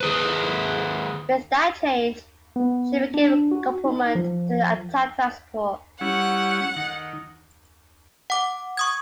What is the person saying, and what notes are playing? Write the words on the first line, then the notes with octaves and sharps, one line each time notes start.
With that change, she became a complement to the attack transport.
D#3 G#4 B4
B3
D4
F#4
D#4
F3
G3 C#4 E4 F#5
D#3
F#5 D6
C#6 D#6 G#6